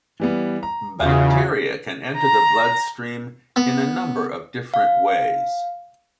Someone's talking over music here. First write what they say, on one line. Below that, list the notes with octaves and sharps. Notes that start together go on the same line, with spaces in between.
Bacteria can enter the bloodstream in a number of different ways.
E3 G3 B3
A#5
E2 C#3 F4 F#4 G#4
A#5
B3
F5